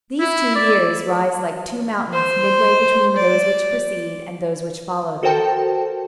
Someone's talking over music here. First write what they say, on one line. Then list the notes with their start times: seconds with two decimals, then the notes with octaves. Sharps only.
These two years rise like two mountains midway between those which precede and those which follow them.
0.20 E4
0.55 D5
2.13 C5
3.16 D5
5.23 F#4 A4 A#4 C5 G5 A5